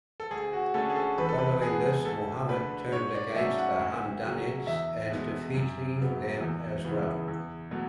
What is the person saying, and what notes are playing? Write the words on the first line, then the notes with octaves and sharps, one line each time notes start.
Following this, Muhammad turned against the Hamdanids and defeating them as well.
A4
D2 G#4
F#4
D3 A3 C#4 A4
G#4
A4
E2 B4
A4
B4
B2 G#3 B3 G#4
D2 A4
D3 A3 B4
G#2 C#5
D5
F#3 A3 C#4 E5
F#5
D2
C#3 F#3
E2 E5
B2 G#3
F#2
C#3 F#3 B3
E2
C#3 E3 B3
E2
B2 F#3 A3